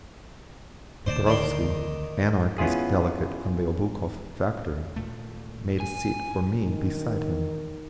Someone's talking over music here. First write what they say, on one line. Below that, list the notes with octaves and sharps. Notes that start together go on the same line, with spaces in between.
Petrovsky, Anarchist delegate from the Obukhov factory, made a seat for me beside him.
D2 C5 D5 A5
D#3 D5 C6
B3 C#4 E4 F4 G#4
D#2 A#2 A3
G#5
D#3